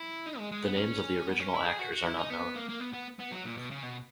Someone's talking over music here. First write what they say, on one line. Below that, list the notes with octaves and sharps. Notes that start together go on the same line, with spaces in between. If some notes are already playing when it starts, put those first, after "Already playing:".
The names of the original actors are not known.
Already playing: E4
D#4
G#3
G#3
B3
C#4
B3
C#4
E4
G#4
F#4
F#4
E4
D#4
B3
A#3
A#3
B3
B3
B3
F#3
A#2
B2
C#3
B2